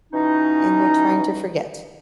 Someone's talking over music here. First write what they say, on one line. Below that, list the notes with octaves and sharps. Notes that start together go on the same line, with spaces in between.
and you're trying to forget,
B2 E3 C#4 D#4